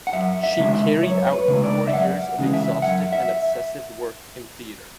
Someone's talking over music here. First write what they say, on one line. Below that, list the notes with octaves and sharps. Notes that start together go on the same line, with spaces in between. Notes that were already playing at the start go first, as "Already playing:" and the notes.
She carried out four years of exhaustive and obsessive work in theatre.
F#5
F#2 E5
E5
C#3 G#3 D4
E5
F#2 C#5
C#5
B4
C#3 G#3 D4
D5
E5
F#2 F#5
C#3 E3 G#3
E5
F#2 F#5
E5